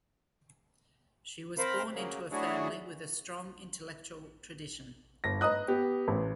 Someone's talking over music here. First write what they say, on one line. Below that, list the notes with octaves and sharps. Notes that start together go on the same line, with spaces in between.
She was born into a family with a strong intellectual tradition.
C4 A#4 C5 F5 B5
C#3 F#3 A#3
F#3 A3 D4 E4 F#4 G#4
G1 A#6
B4 D#5 A#5 D#6 F#6
B3 G4
A1